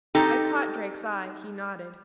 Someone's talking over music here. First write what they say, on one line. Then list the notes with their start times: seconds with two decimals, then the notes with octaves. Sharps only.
I caught Drake's eye; he nodded.
0.15 C4 D#4 G4 A4